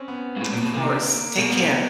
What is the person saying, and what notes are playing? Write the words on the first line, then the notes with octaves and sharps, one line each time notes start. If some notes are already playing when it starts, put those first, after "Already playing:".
Of course. Take care.
Already playing: C4 C#4
B3
G#2
A2
A#2
B2
C3 A#3
A#3
B2 A#3
B3
A#3
B3